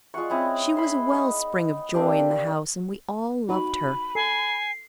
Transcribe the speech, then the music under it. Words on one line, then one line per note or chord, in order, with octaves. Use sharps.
She was a well-spring of joy in the house, and we all loved her.
G#3 F4 F#5 C#6
C4 C#4 E4 D#5
B5 C6
B3 D#4
A#3 C4 D4 G4
D#4 F#4 B5
A4 G#5 C7